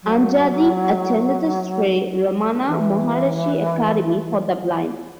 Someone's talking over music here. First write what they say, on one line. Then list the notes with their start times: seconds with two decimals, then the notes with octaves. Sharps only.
Angadi attended the Shree Ramana Maharishi Academy for The Blind.
0.03 F#3
2.67 E3